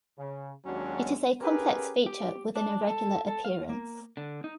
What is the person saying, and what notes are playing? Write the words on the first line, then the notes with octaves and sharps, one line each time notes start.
It is a complex feature with an irregular appearance.
C#3
D#2 F#3 G#3 C#4 D4 F#4
C#4 G4 G#4 A#4 B4
G4
D4
A4
A4
F5
A#3
D3
D#4